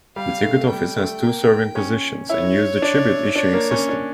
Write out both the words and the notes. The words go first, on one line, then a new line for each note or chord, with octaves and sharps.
The ticket office has two serving positions and uses the Tribute issuing system.
G3 F5
A3
G3 G5
A3
A#3
C#4
E4 C#5
D4
D4 C#5
A#3
C#4
D4